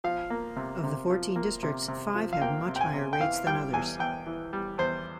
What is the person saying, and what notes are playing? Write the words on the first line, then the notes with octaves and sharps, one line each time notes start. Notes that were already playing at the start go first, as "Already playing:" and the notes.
Of the fourteen districts, five have much higher rates than others.
F3 F5
A#3
C3
C3
F3
A#3
C3
C3
F3
F5
A#3 G5
C3
G5
G#5
C3
G5
E3 F5
G3 G5
E2 G#5
E2 G5
E3
G3
E2 C5